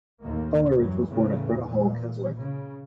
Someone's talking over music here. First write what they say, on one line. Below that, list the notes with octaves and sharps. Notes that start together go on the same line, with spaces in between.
Coleridge was born at Greta Hall, Keswick.
D#2 A2 D#3 A#3
F#2 E3 F#3 G3
E2 A2 C#3 A3
A#2 E3
C#3